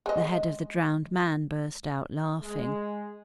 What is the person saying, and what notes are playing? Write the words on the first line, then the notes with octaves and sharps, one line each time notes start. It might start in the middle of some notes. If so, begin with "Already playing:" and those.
The head of the drowned man burst out laughing.
G#3 D#5
G#3